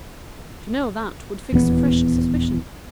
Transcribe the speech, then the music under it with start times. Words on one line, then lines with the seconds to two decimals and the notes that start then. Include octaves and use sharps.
To know that would fix fresh suspicion.
1.53 D#1 E2 B3